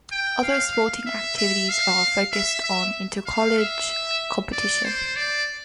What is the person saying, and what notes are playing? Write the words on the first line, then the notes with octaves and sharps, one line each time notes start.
Other sporting activities are focused on inter-college competition.
G5
F5
E5
E5
F5
E5
E5
F5
E5
D5
C5
D5